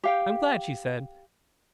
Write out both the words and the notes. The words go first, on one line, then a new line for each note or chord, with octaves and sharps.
"I'm glad," she said.
G4 F5 G5